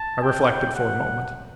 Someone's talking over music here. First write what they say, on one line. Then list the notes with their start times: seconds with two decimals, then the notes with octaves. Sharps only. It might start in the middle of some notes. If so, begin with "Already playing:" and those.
I reflected for a moment.
Already playing: A5
0.23 G5
0.75 F#5